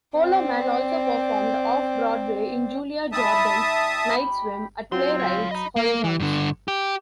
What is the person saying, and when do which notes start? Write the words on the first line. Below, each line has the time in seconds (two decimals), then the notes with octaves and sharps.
Holloman also performed off-Broadway in Julia Jordan's "Night Swim" at Playwright's Horizons.
0.17 C4 D5
3.12 G3 D#4 E5 A5 D#6
4.10 G4 B5
4.92 F#3 C4 F4 C6
5.20 C#5 F5
5.51 D#5 A#5 B5
5.76 A#3
6.04 E3
6.20 G2 D3
6.68 G4